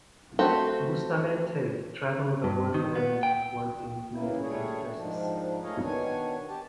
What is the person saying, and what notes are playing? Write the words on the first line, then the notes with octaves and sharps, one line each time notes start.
Bustamente travelled the world and worked in many different places.
A3 C4 F#4 G4
G2
D#3
B3
G5
C#3 E3 A#3 E4
G3 A3 D4 G#4 C#5
G#2 D#3 F3 D4
A3 G#4 C#5 D#5 F5
B2 D#3 D4 C#5 G#5
G4 A5